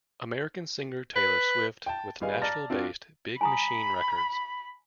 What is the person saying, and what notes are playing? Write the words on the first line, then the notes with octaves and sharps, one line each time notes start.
American singer Taylor Swift with Nashville-based Big Machine Records.
B4
G5 A5
G#1 G3 G#3 B4 F5 G#5
D5 A5 A#5 F6 A6 A#6
C4 D4 F4 F#4 F5
G#5 A#5 B5 D#6